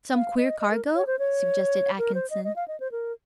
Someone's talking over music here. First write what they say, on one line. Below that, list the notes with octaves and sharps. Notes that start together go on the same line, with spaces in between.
"Some queer cargo?" suggested Atkinson.
F5
D#5
D#5
A#4
C#5
C5
C#5
A#4
C5
D#5
D#5
F5
D#5
C5
A#4